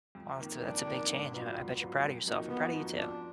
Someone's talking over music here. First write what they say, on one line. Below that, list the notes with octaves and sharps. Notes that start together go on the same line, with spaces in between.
Well, that's a that's a big change. I I bet you're proud of yourself. I'm proud of you too.
F2
D#3 A#3
F2 D4
D#3 A#3
G#2
F#3 B3 F4
G#2
F#3 B3 F4
F2
F3 A#3 D#4 F#4
F2 B3
F3 A#3 D#4 F#4
F3 D4